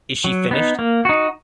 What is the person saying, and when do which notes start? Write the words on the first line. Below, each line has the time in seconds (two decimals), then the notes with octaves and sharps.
Is she finished?
0.24 F#3
0.51 B3 D#4
0.79 A#3
1.05 D#4 F#4